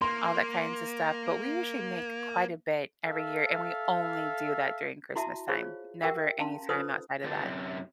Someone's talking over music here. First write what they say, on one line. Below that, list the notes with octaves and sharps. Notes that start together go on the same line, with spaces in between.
all that kinds of stuff, but we usually make quite a bit every year, and we only do that during Christmastime. Never any time outside of that.
A#3 C6
A4 E5 F5
E4 F#4 E5 A5
F4 G#4 C5 C#5 F5
G4 A#4 E5 F#5 G5
C#4 F5 A5 A#5 C6
D#4 F4 A4 B4 C5 D#6
D3 A3 B3 D4 F4 G4
F#2 C3